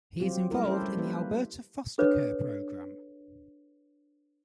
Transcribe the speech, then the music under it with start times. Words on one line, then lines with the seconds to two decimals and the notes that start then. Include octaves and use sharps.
He is involved in the Alberta Foster Care Program.
0.20 F#3 C4 F4 G4
0.51 G3 A3 E4 A#4
0.65 C#4 E4 G4 A4 C5
0.82 G3
0.97 A#3 B4
1.98 D4 G#4 A4 B4 C#5